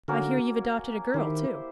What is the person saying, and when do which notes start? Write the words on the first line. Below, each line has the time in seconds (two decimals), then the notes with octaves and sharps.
I hear you've adopted a girl, too.
0.08 D3 A#3 C#4 F#4 A#4
1.14 D#3 E4 G4 C5